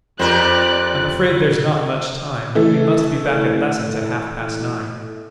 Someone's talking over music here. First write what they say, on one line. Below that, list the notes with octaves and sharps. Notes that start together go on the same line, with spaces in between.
"I'm afraid there's not much time; we must be back at lessons at half-past nine."
F2 G4 A#4 C5 D5 F#6
E3 A3